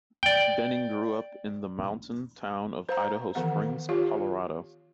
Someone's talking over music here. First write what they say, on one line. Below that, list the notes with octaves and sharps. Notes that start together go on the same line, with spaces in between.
Denning grew up in the mountain town of Idaho Springs, Colorado.
D5 G5
C5 F5 A#5
D#3 E3 B3 F#5
F4 G4 C#5 F5